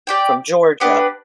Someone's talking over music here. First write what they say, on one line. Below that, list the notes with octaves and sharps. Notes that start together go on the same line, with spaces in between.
from Georgia.
G4 D5 G5
B3 D4 G4 B4